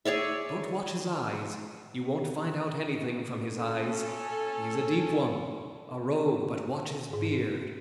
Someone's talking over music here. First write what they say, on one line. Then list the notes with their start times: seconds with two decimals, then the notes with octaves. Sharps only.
Don't watch his eyes, you won't find out anything from his eyes, he is a deep one, a rogue--but watch his beard!
0.05 G#4 C#5 D5 E5
3.54 C#4 A4
7.13 G#2